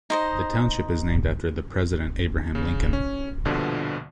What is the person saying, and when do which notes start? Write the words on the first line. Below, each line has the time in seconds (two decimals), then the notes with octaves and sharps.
The township is named after the president Abraham Lincoln.
0.10 D#4 C5 D#5
2.55 C#3
2.93 C#4
3.45 A#1 G2 B2 D3 F3